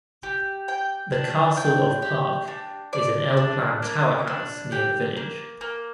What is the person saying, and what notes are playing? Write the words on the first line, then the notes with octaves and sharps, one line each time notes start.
The Castle of Park is an L-plan tower house near the village.
G4
G5
D4
G5
G4
D4
D5
D4
A#3
D4
G4
A#3
A#3